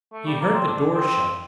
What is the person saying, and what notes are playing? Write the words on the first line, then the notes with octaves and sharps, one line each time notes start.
He heard the door shut.
A3
G3
A#3
C4
D4
C4